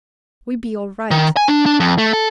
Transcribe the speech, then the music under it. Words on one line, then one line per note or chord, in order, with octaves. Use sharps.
We be all right.
D#3
G#5
D4
D4
F2
A3
A4